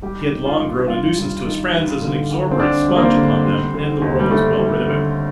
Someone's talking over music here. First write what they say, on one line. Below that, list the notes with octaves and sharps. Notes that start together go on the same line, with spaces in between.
He had long grown a nuisance to his friends as an exorbitant sponge upon them, and the world was well rid of him.
G3 G4
D#3
F4
G2
G2 F4
G3
D#3
G3
D3
D2
C4
D2 D4
G3
A#3
C4
D3
G3
D3
D#2
G3
D#2 A3
G3
D3